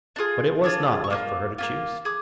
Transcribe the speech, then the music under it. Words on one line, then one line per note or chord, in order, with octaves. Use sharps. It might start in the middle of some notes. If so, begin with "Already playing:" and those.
But it was not left for her to choose.
D4 F4 G#4
D4 F4 G#4
C#6
A#3 C#4 F4 D6
A#3 C#4 F4
G#4 D6